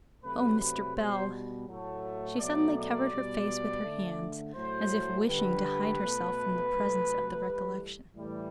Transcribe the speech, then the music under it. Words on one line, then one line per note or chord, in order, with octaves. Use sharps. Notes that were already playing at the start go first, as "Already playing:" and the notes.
Oh, Mr. Bell!' She suddenly covered her face with her hands, as if wishing to hide herself from the presence of the recollection.
C3 F#3 A3 B4
B4
B2 G3 C5
A2 F#3 A3
B2 F#3 A3 D5
D5
B2 G3
D3 A3
A2 F#3 A3 C5
D3 G3 B4
B2 A3
C3 F#3 A3
A2 E3 G3
A2 E3 G3